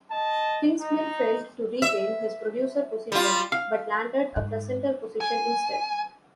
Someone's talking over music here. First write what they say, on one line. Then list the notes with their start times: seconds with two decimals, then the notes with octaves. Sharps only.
Kingsmill failed to regain his producer position, but landed a presenter position instead.
0.11 D#5 A5
0.81 D#4
1.82 E5
3.12 G3 F4
3.52 F5
4.36 G#2
5.21 G#5